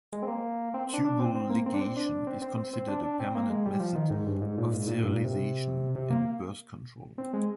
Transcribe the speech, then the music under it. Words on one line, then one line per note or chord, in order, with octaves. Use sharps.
Tubal ligation is considered a permanent method of sterilization and birth control.
G#3
C4
A#3
C4
D4
D4
C4
C4
A#3
C4
D4
C4
D4
C4
C4
C4
C4
D4
D4
C4
A#3
G#3
G3
F3
D#3
G#2
G2
G#2
A#2
G#2
A#2
G2
A#2
C3
C3
A#3
C4
G#3